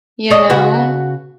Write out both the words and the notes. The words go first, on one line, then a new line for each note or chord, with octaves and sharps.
You know?
D4 C#5 D#5
C#3 F#4 B4